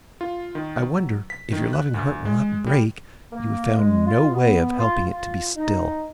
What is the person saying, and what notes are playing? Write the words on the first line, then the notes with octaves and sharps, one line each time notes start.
I wonder, if your loving heart will not break, you have found no way of helping it to be still!
F4
D#3
F#3
B6
D#3
F#6
D2
G#3
G3
A#3
G#3
F4
B3
F4
F4
D#4